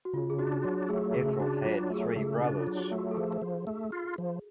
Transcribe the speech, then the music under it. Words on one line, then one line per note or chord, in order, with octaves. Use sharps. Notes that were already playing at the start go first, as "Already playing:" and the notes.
Ethel had three brothers.
F#4
C#3 F4
G#4
D4 F#4
F#3 F#4
A3 G#4
C#3 G#4
D4 F#4
F#3 F4
F#4
A3 G#4
A4
C#3
G#4
D4 F#4
F4
F#3
F#4
A3
F#4
A4
F3 G#4
F3
A3
F4
F3